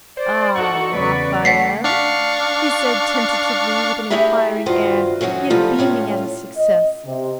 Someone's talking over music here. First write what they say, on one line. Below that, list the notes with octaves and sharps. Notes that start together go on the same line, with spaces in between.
'Ah, Raphael?' he said, tentatively, with an inquiring air, yet beaming at his success.
C5 D5
D#4 F#4 A4 F#5 C#6
E2 C#3 B4 D5
A3 F#5 B6 C7
D4 F5 C#6
A3 E4 G4 G#4 E5 A#5
G2 D#3 F4 F#4 C5
E3 F#3 C#4 D#4 F#4
C3 F3 G3 A3 F4
A2 C#4 F4
D#5
C3